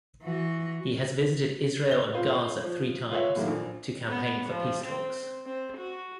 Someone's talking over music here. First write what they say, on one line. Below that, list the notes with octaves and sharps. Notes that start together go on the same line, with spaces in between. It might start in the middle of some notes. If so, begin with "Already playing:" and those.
He has visited Israel and Gaza three times to campaign for peace talks.
E3 F#4
G7
C4 F4 B4 C5
F3
F4 B4 C#5 E5
A2 D#3 F#3 A3 A#3
A#1
B3
F3
C4
C4
F#4